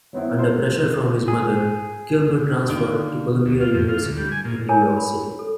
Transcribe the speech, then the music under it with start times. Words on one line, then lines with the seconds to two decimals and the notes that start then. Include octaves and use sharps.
Under pressure from his mother, Kilmer transferred to Columbia University in New York City.
0.13 F#3 B3 C4 E4
0.39 A4 A#4 C5
1.28 G#4
2.70 D3 D#3 A#3
3.46 D2
3.61 F4
3.74 F2
3.89 F4
4.02 D2
4.17 G3
4.32 G#5
4.45 A#2
4.69 A#4 C#5 G#5 A#5
4.96 B5
5.39 A4